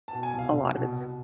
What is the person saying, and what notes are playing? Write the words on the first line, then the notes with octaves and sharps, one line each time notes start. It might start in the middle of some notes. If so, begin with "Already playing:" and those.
a lot of it's,
A5
B2
G#5
C2
F5
C2
B2
B2